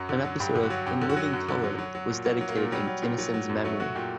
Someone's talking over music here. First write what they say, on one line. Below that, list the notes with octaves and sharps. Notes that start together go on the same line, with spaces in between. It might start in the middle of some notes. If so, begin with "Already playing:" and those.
An episode of "In Living Color" was dedicated in Kinison's memory.
Already playing: F#2 F#3
D3
F#3
G2 G4
D3
F#4
F#3
F#2 G4
D3
F#4
F#3
F#2
D3
F#3
F#3
F#3
A#2
F#3 A#3
F#3
A#3
A#2
F#3 G3
F#3
A#2
F#3
F#3
F#2
F#3 A3
F#3 F#4
A#2 G4